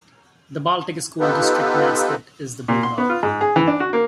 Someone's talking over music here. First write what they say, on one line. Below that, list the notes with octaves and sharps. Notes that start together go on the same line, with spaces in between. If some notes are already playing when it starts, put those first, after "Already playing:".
The Baltic School District mascot is the Bulldog.
B3 D#4 F4 G4 A4 B4
A#2
C6
B3
F4
G#2
G#4
E3
D4
F#4
A#3